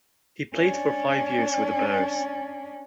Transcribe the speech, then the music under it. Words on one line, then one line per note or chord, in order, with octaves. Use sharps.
He played for five years with the Bears.
C#4 D4